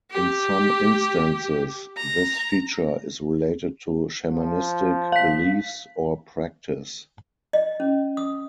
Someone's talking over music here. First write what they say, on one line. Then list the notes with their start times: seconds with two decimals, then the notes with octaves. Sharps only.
In some instances, this feature is related to shamanistic beliefs or practice.
0.11 G4
1.97 A#5
4.32 F3
5.12 F5 B6
7.53 D#5
7.80 C#4
8.17 D#6